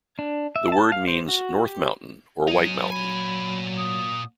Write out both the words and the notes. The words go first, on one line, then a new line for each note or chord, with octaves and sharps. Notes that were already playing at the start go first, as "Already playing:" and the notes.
The word means "north mountain" or "white mountain".
D4
E5
A5
F5
C5
F#4
G4
F#3 D#4 G#5
A#2 G#5 B5
D#6